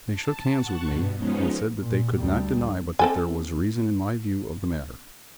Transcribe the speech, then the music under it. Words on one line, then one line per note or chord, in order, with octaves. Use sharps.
They shook hands with me; and said that they could not deny but that there was reason in my view of the matter.
A5
F#5 A5 C#6
G2 B2
F3 G#3 B3 C#4 D#4
A#2
D2 G3
C4 A4 G#5